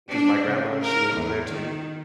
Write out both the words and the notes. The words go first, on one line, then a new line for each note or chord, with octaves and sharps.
'cause my grandma, she lives over there too,
D4
C#3
A#4
E2
D#3